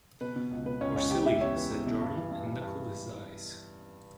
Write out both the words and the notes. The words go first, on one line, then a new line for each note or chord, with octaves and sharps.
"Or silly," said Jordan, and knuckled his eyes.
B2 B4
B2
C#2
B2 B4
C#2 C#4 C#5
C#2 C#4 C#5
E2 G4 G5
E2 E4 E5
E2 C#4 C#5
E2 B4
E2
B2
G2
E3
G2
G2
G2